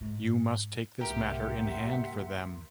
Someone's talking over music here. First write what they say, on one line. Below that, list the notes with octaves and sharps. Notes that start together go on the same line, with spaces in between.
You must take this matter in hand for them.
G#2
C2 G#2 A#3 G4 A#4 E5 F#5 C6